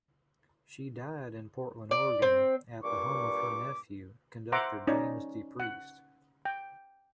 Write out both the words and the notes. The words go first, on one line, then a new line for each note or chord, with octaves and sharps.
She died in Portland, Oregon, at the home of her nephew, conductor James DePreist.
D5
C4
G2 A#2 C#6 D6
C5 E5 F#5 A#5 C6 D6
C#4 D#4 C#5 D5
F#5
G5